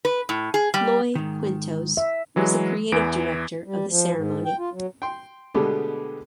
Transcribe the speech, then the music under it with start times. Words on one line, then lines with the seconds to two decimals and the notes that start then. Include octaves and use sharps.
Floy Quintos was the creative director of the ceremony.
0.05 B4
0.29 A2
0.54 G#4
0.74 G3
1.15 G#2 D#3
1.97 E5
2.36 E3 F#3 G#3
2.92 E2 E3 D7
3.66 G3
3.90 F3
4.13 G#2
4.45 G5
4.58 F4
4.73 F#3
5.02 G5 C6
5.54 B2 D3 G#3 A3 B3 G4